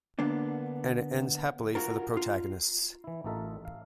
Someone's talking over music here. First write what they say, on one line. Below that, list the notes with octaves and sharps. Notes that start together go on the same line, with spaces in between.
And it ends happily for the protagonists.
D3 A#3 B3 D4
F4 F#4 A#4
F4
E3 E4
A1 D#4 F4 A4 A#4 E5
F5